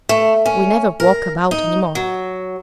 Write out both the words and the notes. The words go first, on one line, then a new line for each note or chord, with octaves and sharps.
We never walk about any more.
A3
C#4
A#4
D#4
F#3